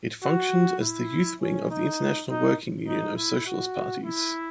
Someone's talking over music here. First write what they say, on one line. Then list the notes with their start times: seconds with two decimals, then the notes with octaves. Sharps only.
It functioned as the youth wing of the International Working Union of Socialist Parties.
0.24 F#4
0.82 E4
1.41 C#4
1.70 D#4
2.29 D#4
2.88 D#4
3.17 E4
3.46 F#4
4.05 E4